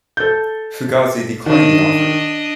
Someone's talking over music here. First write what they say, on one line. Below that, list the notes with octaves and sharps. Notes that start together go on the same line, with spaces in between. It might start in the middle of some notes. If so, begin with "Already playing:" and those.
Fugazi declined the offer.
A4 G6
D#3 D4 D#5